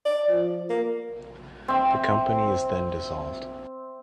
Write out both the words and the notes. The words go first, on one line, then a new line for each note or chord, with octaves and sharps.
The company is then dissolved.
D5
F3
A#3
C4 E5